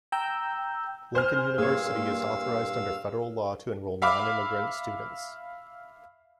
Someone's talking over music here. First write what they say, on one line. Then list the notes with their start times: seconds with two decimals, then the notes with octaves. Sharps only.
Lincoln University is authorized under Federal law to enroll nonimmigrant students.
0.12 G5 A#5 E6 G6
1.15 C5 G#5 F6
1.58 G2 A#2 G#4 C#5 F5 E6
4.02 E5 F5 B5 D6 F6